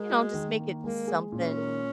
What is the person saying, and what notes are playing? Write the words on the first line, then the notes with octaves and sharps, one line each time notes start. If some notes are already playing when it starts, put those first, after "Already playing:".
you know, just make it something.
Already playing: G#3 A#4
F#4
D#3
A#3
G#3 A#3
G#4
A#2 C#4
A#4